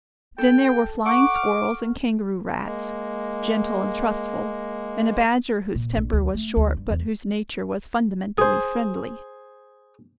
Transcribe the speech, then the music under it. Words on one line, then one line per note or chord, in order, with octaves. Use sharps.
Then there were flying squirrels, and kangaroo rats, gentle and trustful, and a badger whose temper was short but whose nature was fundamentally friendly.
A4 G5
F#5 C#6 D6
F6
G#3 A#3
A#2
A#1
D2
A3
D2
G2
E2
G#4 C5